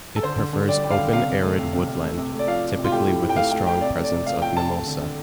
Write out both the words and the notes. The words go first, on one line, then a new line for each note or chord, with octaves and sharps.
It prefers open arid woodland, typically with a strong presence of mimosa.
A4
D3 C5
D3
D3
G3 D5
G3
F5
D3
C3 F5
C3
A3
C3
C3
C3
A3
C3
A3
D5
F3 F5
F3
C3
F4
A3 G4
A2
A2
G5
A3 F5
A3 G5
A3 G5
C3 D5
A3
D5
C3
A3 F5
F3 G5
C3 A5
A3
D3
D3